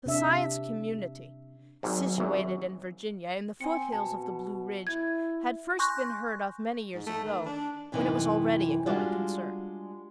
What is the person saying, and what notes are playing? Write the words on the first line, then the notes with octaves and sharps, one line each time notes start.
The Science Community, situated in Virginia, in the foothills of the Blue Ridge, had first been heard of many years ago, when it was already a going concern.
C3 D4 E5
G#1 G#2 F#3
G#1 F#2
C4 G#5 C#7
B2 A5
E4 G#6
G#5 C6 C#6 F#6 G6 A#6
G#2
A3
D#3
D4
F#2 C3 E3 A3 D#4
G3 G#3 D4 F4 F#4